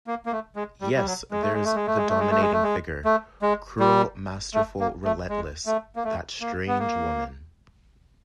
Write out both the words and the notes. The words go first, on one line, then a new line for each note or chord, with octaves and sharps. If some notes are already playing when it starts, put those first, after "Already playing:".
Yes, there's the dominating figure — cruel, masterful, relentless — that strange woman.
A#3
A#3
A3
G#3
G3
G3
F#3
G#3
A3
G#3
A3
G#3
A3
G#3
A3
G#3
A3
G#3
A3
G#3
A3
G#3
G3
A3
A#3
A3
G#3
A3
A#3
A3
A#3
B3
A#3